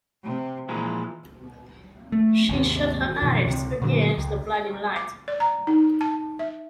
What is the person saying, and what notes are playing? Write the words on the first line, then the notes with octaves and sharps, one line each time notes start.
She shut her eyes against the blinding light.
C3
A#2 E3 F3 G#3
A3
G#1 D#2 C3
F#2 B2 D#3 F3
C#2 C3
A#2 D3 F#3
C#2
D6
D5
A#5
D#4
A5
E5